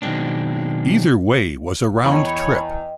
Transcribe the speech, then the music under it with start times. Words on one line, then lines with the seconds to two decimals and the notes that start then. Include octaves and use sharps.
Either way was a round trip.
0.02 B2 D#3 F#3 G#3 C4 D4
2.04 E2 C#5 D#5 G5 B5